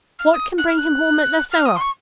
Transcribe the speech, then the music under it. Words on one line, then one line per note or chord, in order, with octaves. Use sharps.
What can bring him home at this hour?
F6
D#6
F#6
F6
F#6
F6
D#6
C6
C#6